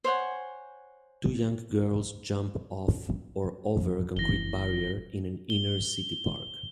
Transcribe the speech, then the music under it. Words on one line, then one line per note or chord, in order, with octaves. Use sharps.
Two young girls jump off or over a concrete barrier in an inner city park.
C5 C#5 F#5 G#5
F2
F#1 E3 A#6 G7
G7